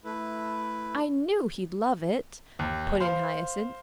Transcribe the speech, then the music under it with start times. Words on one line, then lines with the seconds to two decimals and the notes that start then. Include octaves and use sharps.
"I knew he'd love it," put in Hyacinth.
0.05 A3 E4 B4
2.59 D#2
3.00 C5 F5